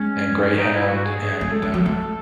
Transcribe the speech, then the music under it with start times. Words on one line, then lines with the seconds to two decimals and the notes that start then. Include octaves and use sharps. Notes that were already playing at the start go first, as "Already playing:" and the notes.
and Greyhound and, uh,
Already playing: G#3 C#4
0.57 D#4
0.72 E4
0.88 F#4
1.04 G#4
1.18 G#4
1.34 G#4
1.41 A3
1.50 G#3 A4
1.62 G#3
1.74 F#3
1.86 A3